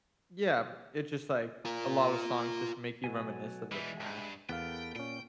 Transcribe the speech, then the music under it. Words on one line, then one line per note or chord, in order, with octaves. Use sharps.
Yeah, it just like, a lotta songs just make you reminisce of the past.
F4 A#4
B2 F#3 A4 G#5
E3 G3 G#3 E5
G2
E2 B3 A4 A#4 F5 G5
A#2 C#4 G5